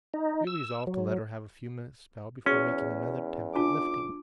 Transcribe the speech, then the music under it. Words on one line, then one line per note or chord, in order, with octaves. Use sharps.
We resolved to let her have a few minutes' spell before making another attempt at lifting.
D#4
E6
F#3
E2 C#4 F#4 G#4 C#6
D4 F4 A5 D6